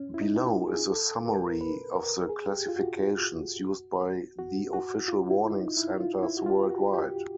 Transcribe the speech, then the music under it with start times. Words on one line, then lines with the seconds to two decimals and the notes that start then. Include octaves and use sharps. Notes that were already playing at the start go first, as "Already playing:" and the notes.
Below is a summary of the classifications used by the official warning centres worldwide.
Already playing: C#4
0.14 E4
0.22 D#4
0.45 F4
0.67 G#4
0.91 A4
1.26 A#4
1.61 B4
1.95 A#4
2.29 G#4
2.54 G4
2.68 F4
2.76 F#4
4.39 F#4
4.73 F#4
5.08 F4
5.30 E4
5.54 D#4
5.77 E4
6.00 F4
6.23 E4
6.37 F#4
6.46 F4
6.63 G4
6.70 F#4
6.93 G4